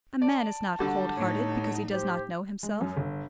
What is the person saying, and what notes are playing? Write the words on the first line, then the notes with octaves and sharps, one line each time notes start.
A man is not cold-hearted, because he does not know himself.
D5 A5
D3 G3 F#4
A2 D#4 C#5
G4 C5
G#3
F#2
G1